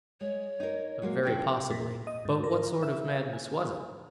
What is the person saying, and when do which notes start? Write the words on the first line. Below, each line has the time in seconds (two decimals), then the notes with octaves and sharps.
"Very possibly; but what sort of madness was it?"
0.21 G#3 C#5
0.60 D#4 A#4
1.02 F#3 G#3 A#3
1.23 F3 C#4 D4 G5
1.70 A#2
2.07 D#5
2.25 G#2
2.44 A#4
2.83 E5
3.33 G#5